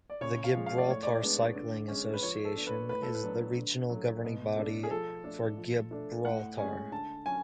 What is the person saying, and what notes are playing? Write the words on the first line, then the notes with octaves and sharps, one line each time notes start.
The Gibraltar Cycling Association is the regional governing body for Gibraltar.
D5
C#3 C#5
F5
F3 G#3
F5
D5
A2 C#5
D5
G#3 B3 D4
D3
G#3 C#4
B4
F3 C#5
A4
B3 D4
B4
A2 B4
A4
B4
F#3 B3 D4
D3
F#3
A3
B2
A3 D4
G#4
F3 A4
A3 D4
F3
A3 D4
A2 F#5
G#3 C#4 G#5
D3 A5
F#3 C#4 G#5